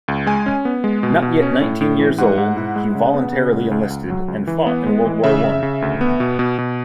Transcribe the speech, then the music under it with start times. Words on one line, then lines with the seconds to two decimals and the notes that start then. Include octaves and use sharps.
Not yet nineteen years old, he voluntarily enlisted and fought in World War One.
0.08 C#2
0.27 G#3 G#5
0.46 C#4
0.65 B3
0.84 G#3
1.03 B2
1.22 B2
1.42 C#4
1.61 A2
1.81 A2
1.99 E3
2.18 G#2 F#5
2.38 G#2
2.57 E4
2.76 G#3
2.95 C#3
3.14 B3
3.33 C#3
3.53 G#3
3.71 C#2
3.90 C#2
4.10 F#3
4.28 C#2
4.47 E3
4.66 B3
4.87 G#3
5.05 E3
5.24 C#3 E5
5.44 C#3
5.63 C#3
5.82 D2
6.01 B3
6.20 B2
6.39 B2
6.58 B2